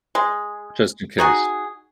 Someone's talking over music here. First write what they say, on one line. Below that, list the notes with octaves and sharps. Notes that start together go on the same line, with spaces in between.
just in case.
G#3
D#4 F#4 G#4